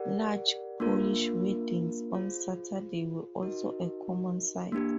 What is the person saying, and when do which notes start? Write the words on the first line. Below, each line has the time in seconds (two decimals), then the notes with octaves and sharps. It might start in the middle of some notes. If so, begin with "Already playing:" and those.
Large Polish weddings on Saturdays were also a common sight.
Already playing: G4 A#4 D5 F#5
0.80 A#3 D4 F4 A#4
2.11 F4 G#4 C5
3.42 D#4 F#4 A#4 D#5
4.72 A#3 D4 G4